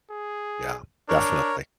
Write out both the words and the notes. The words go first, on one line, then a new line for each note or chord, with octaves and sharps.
Yeah, definitely.
G#4
D4 A#4 C#5